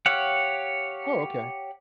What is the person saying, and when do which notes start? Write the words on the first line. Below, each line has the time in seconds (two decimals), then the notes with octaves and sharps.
Oh, okay.
0.06 G4 C#5 F5 F#5